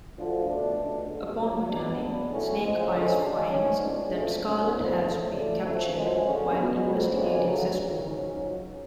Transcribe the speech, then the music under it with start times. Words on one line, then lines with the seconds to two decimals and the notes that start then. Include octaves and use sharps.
Upon returning, Snake Eyes finds that Scarlett has been captured while investigating Cesspool.
0.17 D2 D3 F3
0.48 C#2 B2 A3 D4
0.78 C#2 B2 A3 D4
1.08 D2 D3 G#3
1.38 C#2 C#3 F#3
1.69 B2 G#3 B3 D4
1.99 C#3 F#3 B3 D4
2.29 A2 F#3 C#4
2.60 C#3 F3 G#3
2.90 F#2 D3 G#3 C#4
3.20 F#2 C#3 G#3 D4
3.51 G#2 F#3 C#4
3.81 C#2 B2 G#3 D4
4.11 F2 C#3 F#3 A3 D4
4.42 G#2 F#3 C#4
4.72 A2 F3 G#3 B3 D4
5.02 C#3 F3 A3
5.32 C#3 F#3 A3 D4
5.62 D2 C#3 F3 A3 C#4
5.94 F#2 F3 G#3
6.23 D2 D3 G#3 C#4
6.54 B2 G#3 B3
6.84 F2 C#3 F#3
7.14 F2 C#3 G#3 B3 D4
7.44 D2 C#3 F#3
7.75 C#2 C#3 F#3
8.05 G#2 F#3 C#4
8.36 C#2 C#3 F#3